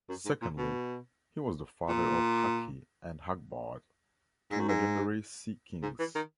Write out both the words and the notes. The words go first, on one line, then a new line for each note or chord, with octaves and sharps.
Secondly, he was the father of Haki and Hagbard, two legendary sea-kings.
F#2
G#2
A#2
B2
A#2
G#2
F#2
G#2
G#2
E3
D#3